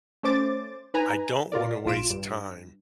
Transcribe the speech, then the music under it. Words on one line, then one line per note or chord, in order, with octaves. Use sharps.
"I don't want to waste time,"
A3 C#4 C5 D6 A6
D#4 B4 G#5 A#5
A#2 F4 A#4 D5
A#1 A#2 F4 D7 E7
G2